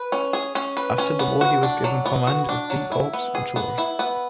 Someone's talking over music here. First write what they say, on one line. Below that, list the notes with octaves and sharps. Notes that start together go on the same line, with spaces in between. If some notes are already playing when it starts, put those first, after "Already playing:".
After the war he was given command of V Corps in Tours.
Already playing: B4
C#4
G#4
C#4
B4
C#4
B3
F#4
D4
F#3
B3
F#4
D4
F#3
E4
B3
G#4
B3
E4
B3